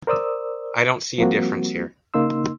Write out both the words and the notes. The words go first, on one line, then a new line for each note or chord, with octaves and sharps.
I don't see the difference here.
A#4 C5 D5 D#6 E6
F3 G3 A#3 C4 F#4
C#3 A#3 D#4 C6 E6